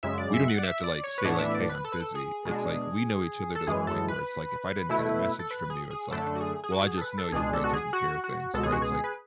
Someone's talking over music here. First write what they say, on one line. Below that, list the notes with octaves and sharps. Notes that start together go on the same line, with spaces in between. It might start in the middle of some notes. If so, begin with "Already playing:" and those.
We don't even have to, like, say, like, "Hey, I'm busy." It's ,like, we know each other to the point where it's, like, if I didn't get a message from you, it's, like, well, I just know you're probably taking care of things, right? It's, like,
F#2 C#3 G#3 E5
D5
E5
F#5
D5
E5
D5
C#5
B4
A2 E3 B3 D4 C#5
E5
D5
B4
A4
B4
A4
G#4
B2 G#3 D4
A4
F#2 E3 G#3 G#4
A4
B4
B2 A3 E4
A4
B4
G#4
G#4
F#2 D3 A3 D4 A4
F#4
G#4
G#4
F#4
G#4
A4
B4
A4
C#2 B2 G#3 D4 G#4
A4
F#4
G#4
F#4
F#4
C#2 B2 G#3 A4
G#4
F#4
G#4
B4